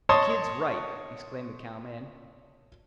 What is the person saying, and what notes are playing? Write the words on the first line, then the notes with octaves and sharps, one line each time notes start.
"The kid's right," exclaimed a cowman.
C#5 D#5 A5 C6 D#6